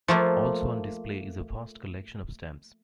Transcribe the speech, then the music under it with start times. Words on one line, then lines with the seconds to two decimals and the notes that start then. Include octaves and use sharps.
Also on display is a vast collection of stamps.
0.08 F3 A3 A#3